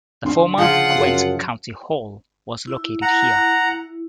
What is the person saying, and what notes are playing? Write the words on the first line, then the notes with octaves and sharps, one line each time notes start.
The former Gwent County Hall was located here.
D3 C6
C#3 F3 F4 F#5
F#2
E4
F#5 A#5